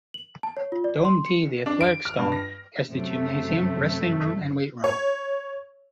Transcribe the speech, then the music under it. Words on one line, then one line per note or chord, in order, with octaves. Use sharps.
Dome D, the athletics dome, has the gymnasium, wrestling room and weight room.
F#7
A5
C#5
F4
D5
C6
C#7
D4
D7
F6
G2
A#6
F#2 C3 A3
C#5